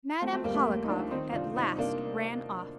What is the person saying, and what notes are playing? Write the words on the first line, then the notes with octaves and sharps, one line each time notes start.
Madame Hohlakov at last ran off.
F3 A3 C4
A3 C4
D#2 G3 A#3
A3
D#2
D#4
F3 D4 F4
D#3 C4 D#4
C2 D4 F4
C3 C4 D#4
C2 A#3 D4